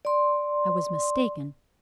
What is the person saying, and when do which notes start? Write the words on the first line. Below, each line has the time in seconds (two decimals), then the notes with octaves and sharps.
I was mistaken.
0.05 D5 C6